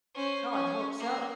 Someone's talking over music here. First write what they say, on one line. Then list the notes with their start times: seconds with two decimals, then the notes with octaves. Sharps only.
Oh, I hope so.
0.15 C#4 C5
0.52 C#4
0.99 A#3